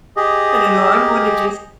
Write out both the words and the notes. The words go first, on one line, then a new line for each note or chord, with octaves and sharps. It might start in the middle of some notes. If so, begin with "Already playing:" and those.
I don't know, I'm one to just
G4 G#4 D#5